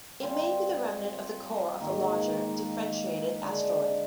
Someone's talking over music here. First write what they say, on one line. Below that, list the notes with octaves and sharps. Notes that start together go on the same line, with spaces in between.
It may be the remnant of the core of a larger, differentiated asteroid.
G3 C4 F4 C5
G#2 D#3 A#3
D3 G#3 D4